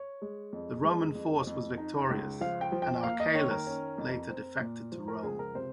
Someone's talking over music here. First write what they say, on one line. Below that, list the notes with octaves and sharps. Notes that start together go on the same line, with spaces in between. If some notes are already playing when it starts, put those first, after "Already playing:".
The Roman force was victorious, and Archelaus later defected to Rome.
Already playing: C#5
G#3
F2
G#3
F2
F2
D#4
C#2
F3 F5
G5
F3
G5
A#3 F5
D#5
D#3 C#5
A#4
C#4
F2
C4
A#2
F3
A#4
C#2 G#4
A#4
C3 C5